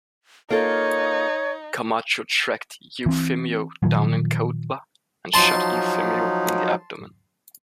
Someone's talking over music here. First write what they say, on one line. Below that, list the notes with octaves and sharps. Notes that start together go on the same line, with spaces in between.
Camacho tracked Eufemio down in Cuautla and shot Eufemio in the abdomen.
A#3 D#4 F4 A4 C#5
E3 C4
A#2 D#3 F3 F#3
F3 F#3 D#4 A5 C6